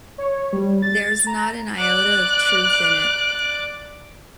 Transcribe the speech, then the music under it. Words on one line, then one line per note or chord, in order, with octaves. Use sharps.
There's not an iota of truth in it.
C#5
G3
A6
A#5
D5 D6 F#6